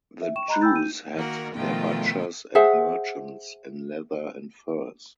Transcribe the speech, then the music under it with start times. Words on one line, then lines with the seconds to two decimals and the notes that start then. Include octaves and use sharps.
The Jews had their butchers and merchants in leather and furs.
0.22 E5
0.36 G5 C#6 E7
0.48 D#5 A#5 B5 F#6
0.61 G5 G#5 B5 E6 G6 A6
0.75 D#4 G6 D#7
1.15 D#3 A#3 F#4 A#4
1.55 B2 D#3 F3 A3 F4 G5
2.55 G#4 C5 E5 F#5